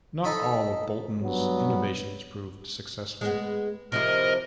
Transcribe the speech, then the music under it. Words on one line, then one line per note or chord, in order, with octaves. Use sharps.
Not all of Boulton's innovations proved successful.
D#4 A4 B5
G2 F#3 B3
G#3 B3
C3 F3 E4 A#4 D#5